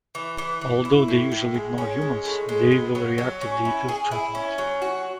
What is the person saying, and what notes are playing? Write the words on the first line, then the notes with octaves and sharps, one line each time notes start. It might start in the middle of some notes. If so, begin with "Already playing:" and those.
Although they usually ignore humans, they will react if they feel threatened.
E3
E3
E3
E4
A2
A2
G#3
C#4
G#3
A2
G#3
B3
F#3
F#3
C#4
E4
G#4
E4
C#4
F#3
F#4